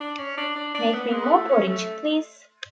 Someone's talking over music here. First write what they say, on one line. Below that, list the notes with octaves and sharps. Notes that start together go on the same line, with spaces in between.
Make me more porridge, please!
D4
C#4
D4
D4
D4
B3
G#3
B3
A3
C#4
A3